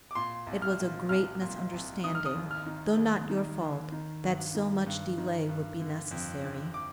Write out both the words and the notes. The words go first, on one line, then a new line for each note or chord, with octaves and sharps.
It was a great misunderstanding, though not your fault, that so much delay would be necessary.
D6
A#2 C6
C2
F6
A#2
C2 F6
A#2
C2
D#3 D#6
F6
D#6
D#2
F6
D#3
D#2
D#3
D#2
D#3
G2
D#3
G2
D#3
G2
D3
F2
D3
D6